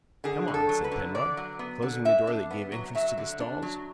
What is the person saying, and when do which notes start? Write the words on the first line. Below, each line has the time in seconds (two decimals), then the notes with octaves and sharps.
"Come on," said Penrod, closing the door that gave entrance to the stalls.
0.24 D3 G#4
0.48 D3
0.54 A4
0.69 F#3
0.84 B4
0.91 D3
1.15 D3 D5
1.37 F#3
1.59 B3
1.82 D3
2.05 D3 E5
2.27 D4
2.50 B3
2.72 F#3
2.95 F#3 E5
3.18 D3
3.40 D4
3.62 F#3